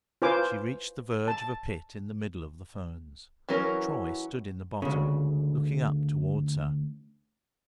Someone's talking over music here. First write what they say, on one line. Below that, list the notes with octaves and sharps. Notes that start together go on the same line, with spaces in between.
She reached the verge of a pit in the middle of the ferns. Troy stood in the bottom, looking up towards her.
F4 B4 C5 G#5 D6
A5
E3 F#3 C#4 A#4
D2 C#3